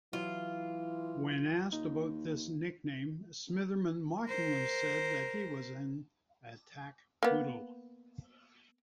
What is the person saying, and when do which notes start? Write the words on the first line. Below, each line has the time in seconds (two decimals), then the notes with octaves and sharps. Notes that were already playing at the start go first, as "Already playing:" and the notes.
When asked about this nickname, Smitherman mockingly said that he was an "attack poodle".
0.13 E3 F#3 E4 F4
1.73 D#2 D#4
4.26 A#4 C5
7.23 A#3 B3